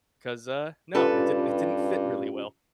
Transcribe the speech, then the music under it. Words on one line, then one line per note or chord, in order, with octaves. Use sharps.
'cause, uh, no, it didn't it didn't fit really well,"
G2 C#4 F4 G4 A4 B4